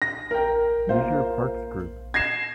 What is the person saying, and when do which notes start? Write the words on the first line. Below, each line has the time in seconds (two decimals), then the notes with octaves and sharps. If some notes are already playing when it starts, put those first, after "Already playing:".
Leisure Parks group.
0.02 A#6
0.31 A#4 G5
0.89 A#3 F4 C5
2.14 G#6 A#6 C7 E7